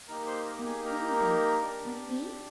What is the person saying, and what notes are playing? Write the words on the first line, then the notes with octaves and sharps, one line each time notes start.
"On whom, then!--on me?"
A#3 D#4 G4 A#4 A#5
C5 C6
A#4 A#5
G#4 G#5
A#4 A#5
D4 G4